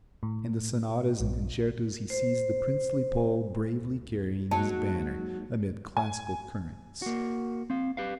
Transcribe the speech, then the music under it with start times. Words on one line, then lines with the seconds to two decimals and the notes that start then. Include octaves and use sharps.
In the sonatas and concertos he sees the princely Pole bravely carrying his banner amid classical currents.
0.23 A2
1.20 A#1
2.10 C5
3.82 D2
4.51 F#3 G#3 A#3 D#4 A5
5.97 G#5
7.02 A#3 F#4
7.70 C4 F5
7.97 G4 B4 F5